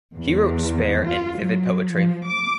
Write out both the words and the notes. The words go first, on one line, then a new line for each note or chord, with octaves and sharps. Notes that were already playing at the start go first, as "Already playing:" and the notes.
He wrote spare and vivid poetry.
E2
F4
F#3
F3
D6